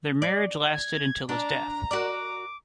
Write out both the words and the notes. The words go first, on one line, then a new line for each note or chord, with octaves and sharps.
Their marriage lasted until his death.
D5
G#6
D4 A5 A#5
F#4 A#4 D5 D6